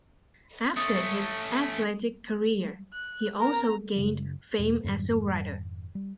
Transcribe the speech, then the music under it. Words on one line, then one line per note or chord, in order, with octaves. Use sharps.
After his athletic career, he also gained fame as a writer.
A3 C#4 D#6
F#6
A#4 A#5
F#2 C#3 F#3
E2 B2
F2 G#2 D#3 F#3
G3